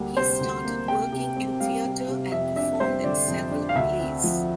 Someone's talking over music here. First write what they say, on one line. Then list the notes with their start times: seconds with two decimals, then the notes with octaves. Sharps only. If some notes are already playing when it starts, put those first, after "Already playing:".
He started working in theatre and performed in several plays.
Already playing: D2 G3 A#3
0.17 C3 C5
0.40 D2
0.65 A#3
0.88 C3 G5
1.12 C3
1.36 C4
1.60 G3 F5
1.85 C3
2.08 C3
2.32 F2 E5
2.56 D4 E5
2.80 G3 C5
3.04 D3 D5
3.28 F2
3.51 D4
3.69 F5
3.76 D2 E5
4.00 C4
4.24 F3